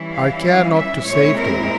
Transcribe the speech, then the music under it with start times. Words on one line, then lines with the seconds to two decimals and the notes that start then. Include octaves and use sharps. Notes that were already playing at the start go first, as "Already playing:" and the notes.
I care not to save thee.
Already playing: E3 G3 C#4 E4
0.13 F5
0.44 F5
0.76 E5
1.07 A#2 G#3 C4 E4 C#5
1.38 A#4